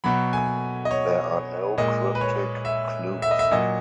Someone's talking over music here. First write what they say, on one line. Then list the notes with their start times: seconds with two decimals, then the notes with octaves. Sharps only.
There are no cryptic clues.
0.04 B2 F#3 B5
0.33 G#5
0.85 D#5
0.91 C#5
1.78 A#2 G#3 D#5
2.15 B4
2.21 C#5
2.65 E5
3.22 E5
3.31 D#5
3.39 E5
3.51 A#2 F#3 D#5